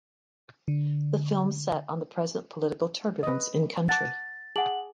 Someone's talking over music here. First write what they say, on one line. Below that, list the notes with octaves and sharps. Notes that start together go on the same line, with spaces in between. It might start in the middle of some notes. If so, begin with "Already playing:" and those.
The film set on the present political turbulence in country.
D3
B4 D#5
F#5 A5 D6 A6
G#4 F#5 A5 D6 F#7